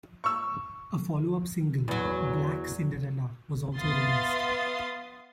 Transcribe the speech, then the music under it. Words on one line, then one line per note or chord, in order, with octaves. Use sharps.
A follow-up single, "Black Cinderella" was also released.
C#6 E6
E2 F#3
B3 E5 F5 C6 D#6 A6